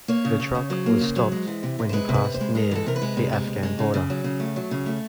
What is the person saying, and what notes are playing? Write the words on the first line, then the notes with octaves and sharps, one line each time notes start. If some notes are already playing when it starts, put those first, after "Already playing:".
The truck was stopped when he passed near the Afghan border.
A#3 C#5
C#3
C#3
C#3
F#3 C5
A#3
C#3
F#3
G#3
E3
C3
C3
C5
G#3 B4
C3
B4
C3
C5
G#3
G#3 A#4
E3 A4
C3 A#4
B4
G#3
C3
G#3
C3
G#3
C#3
C#3
F#3
C#3
A3
F#3
C#3
A3